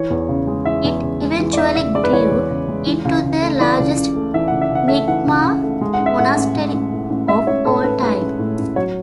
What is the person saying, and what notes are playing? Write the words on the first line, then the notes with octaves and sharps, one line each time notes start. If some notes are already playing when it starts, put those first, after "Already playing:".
It eventually grew into the largest Nyingma monastery of all time.
Already playing: E3 C#5
E2
C#3
G#3
E3 E5
E2
C#3
G#3
E3
D5
E2 E5
C#3 E5
G#3 D5
B4
E3 C#5
E2
C#3
G#3
E3
C#2
C#3
A3
E3 D5
C#2
C#3
A3
E3 E5
C#2 F#5
E5
C#3 F#5
A3 E5
E3 F#5
C#2
C#3
A3
G#3
F#5
A1
E5
A2 F#5
A1
G#3
A1
A2
A1
G#3 E5
A1 C#5
A2 A4
A1 B4
G#3 B4
A1
A2
A1
F#3 C#5